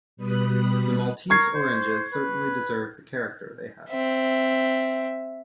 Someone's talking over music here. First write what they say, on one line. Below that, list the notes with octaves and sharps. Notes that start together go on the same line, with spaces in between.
The Maltese oranges certainly deserve the character they have.
B2 G3 B4 B5 D#6 F#6
A#4 C#6 G#6 C7
C5
B4
C4 E5